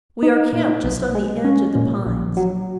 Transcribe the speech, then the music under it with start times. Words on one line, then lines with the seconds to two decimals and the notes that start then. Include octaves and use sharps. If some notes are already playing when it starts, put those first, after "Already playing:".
We are camped just on the edge of the pines.
0.23 D#4
0.53 A#2
0.84 B1
1.15 G#3
1.44 C#4
1.76 A#2
2.06 A#1
2.37 F#3